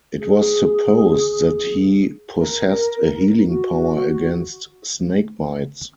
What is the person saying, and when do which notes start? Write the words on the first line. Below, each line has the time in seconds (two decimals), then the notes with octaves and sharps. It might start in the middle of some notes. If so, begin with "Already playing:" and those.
It was supposed that he possessed a healing power against snake bites.
0.19 G#4
2.37 A#4
3.46 F#4